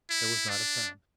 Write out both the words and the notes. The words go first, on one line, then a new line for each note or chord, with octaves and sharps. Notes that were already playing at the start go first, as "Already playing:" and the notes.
There was not a sound.
E4
D4